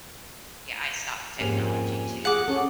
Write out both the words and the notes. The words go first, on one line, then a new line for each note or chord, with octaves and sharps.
Yeah, I stopped technology too,
F2 G#2 A#3 C#4 G4 G#5
G#4 F#5 D6
C#4 A4